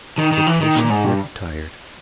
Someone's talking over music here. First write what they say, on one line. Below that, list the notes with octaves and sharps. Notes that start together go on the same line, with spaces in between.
His patience never tired.
D#3
D#3
E3
D#3
A#2
G#2
G2